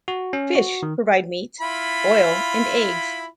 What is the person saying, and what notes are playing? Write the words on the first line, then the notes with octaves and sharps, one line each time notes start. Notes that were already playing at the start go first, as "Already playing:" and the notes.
Fish provide meat, oil, and eggs.
F#4
C#4
F#4
D#3
E4 F4 B5